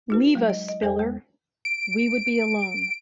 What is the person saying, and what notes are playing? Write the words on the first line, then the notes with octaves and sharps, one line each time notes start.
Leave us, Spiller; we would be alone.
D#4 F#4 B4
F#3 G#3
D#5
D#5
E2 A4 C5 G5 G#5
G#3
D7